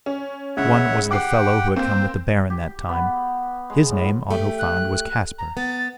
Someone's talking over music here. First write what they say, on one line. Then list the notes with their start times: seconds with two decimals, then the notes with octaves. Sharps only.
One was the fellow who had come with the Baron that time; his name, Otto found, was Casper.
0.06 C#4
0.57 C#2 C#3 C#5 E5 F#5
1.11 G4 F#5 G5 D6 F#6 C7
1.76 A#3 C4 C5
2.50 G4
2.89 B3
3.70 G#3
3.91 A2
4.30 A3 G4
4.59 F#6
5.38 A#5
5.57 B3 A6